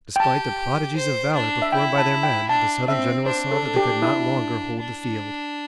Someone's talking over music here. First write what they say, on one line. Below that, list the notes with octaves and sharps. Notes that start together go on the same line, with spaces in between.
Despite the prodigies of valor performed by their men, the Southern generals saw that they could not longer hold the field.
G5
G4 A5
C5
D4
E5
E4 G5
A5
G5
D4 A5
C4 E5
D4 C5
A4
G4
E4
D4